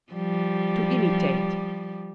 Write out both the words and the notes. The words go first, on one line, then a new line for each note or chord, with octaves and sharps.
To imitate.
F3 G3